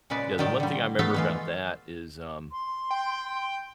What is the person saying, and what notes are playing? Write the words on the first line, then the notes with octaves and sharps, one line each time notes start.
yeah, the one thing I remember about that is, um,
A#2 C#3 G#3 B4 D5
A2 D#3 F#3 D5 G5
D3 G3
A3 B3 F4 A4 E5 A5
E3 G#3 F4
C6
G5